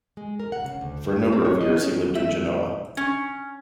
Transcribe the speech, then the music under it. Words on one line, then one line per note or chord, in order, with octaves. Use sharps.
For a number of years he lived in Genoa.
G#3
A#4
F#5
C#3
D2
G2
C4
C#5
D#5
C#4
E5
C#4